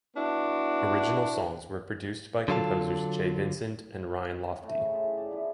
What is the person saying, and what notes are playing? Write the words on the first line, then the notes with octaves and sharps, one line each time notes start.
Original songs were produced by composers Jay Vincent and Ryan Lofty.
B3 D4 E4 F#4
D3 F#3 F4 A4
C#5 G5
A2
C#3
E4 F4 E5
D5 G#5
F3 B3 E4